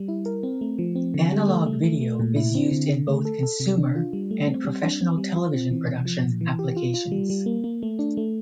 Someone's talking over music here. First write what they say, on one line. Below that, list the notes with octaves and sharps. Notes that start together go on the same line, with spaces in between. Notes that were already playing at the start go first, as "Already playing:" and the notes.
Analog video is used in both consumer and professional television production applications.
Already playing: G3
E4
A#4
C4
A3
F3
C4
D3
G3
A3
A3
A3
A3
A#2
E4
C4
D3
D3
A3
A4
A4
C3
D4
F4
G3
A3
C4
G3
D4
C4
G3
F4
C4
E3
C3
F3
A#2
E3
G4
F4
F4
G3
G3
A#3
A#3
A3
D4
A3